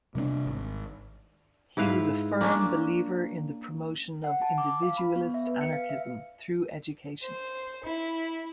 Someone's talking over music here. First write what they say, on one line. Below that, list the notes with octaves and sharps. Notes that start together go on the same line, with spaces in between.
He was a firm believer in the promotion of individualist anarchism through education.
C3 G3 B3 D4
G#1
G#2 E4 B4 F5
A#3 C#4 D4
F#5
A5
D6
F5
B5
B3
E5
B4
C#7
F5
E5
C5
E4